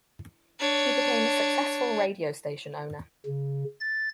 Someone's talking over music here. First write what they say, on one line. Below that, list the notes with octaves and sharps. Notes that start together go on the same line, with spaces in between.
He became a successful radio station owner.
D4 C#5
C#3
A6